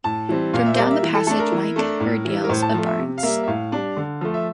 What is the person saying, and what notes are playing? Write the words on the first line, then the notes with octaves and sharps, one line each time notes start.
From down the passage Mike heard yells of "Barnes!"
A2 A5
E3 G3 C4
A#2 F5
E5
C5
G3 A#3 D5
E5
E3
A4
A3 D4 A4
A#4
E3
A3 D4
A2
E3 G3
A#4
A2 C5
A5
F3 A3
E5
C3
F5
G3 A#3 E5
E5
A2 F5
G3 D4
D3
F3 A3
E5